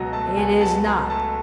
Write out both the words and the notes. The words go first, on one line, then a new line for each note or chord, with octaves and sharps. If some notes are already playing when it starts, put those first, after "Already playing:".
'It is not.
Already playing: C#2 B2 F#3 A#5
A3 A5
C#2 G#5
B2 A5
F#3 A#5
A3 A5